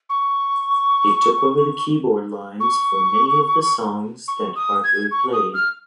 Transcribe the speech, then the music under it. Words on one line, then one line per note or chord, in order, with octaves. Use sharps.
He took over keyboard lines for many of the songs that Hartley played.
C#6
C#6
C#6
D#6
G#6
C#6
D#6
F6